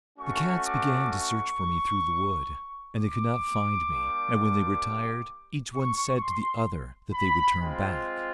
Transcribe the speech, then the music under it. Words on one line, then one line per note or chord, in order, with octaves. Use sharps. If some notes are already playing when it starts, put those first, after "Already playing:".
The cats began to search for me through the wood, and they could not find me; and when they were tired, each one said to the other that they would turn back.
A3 C#4 F#4 C#6
D6
C#6
D6
G3 A#3 D4 G4
C#6
C6
B5
G#3 C4 F4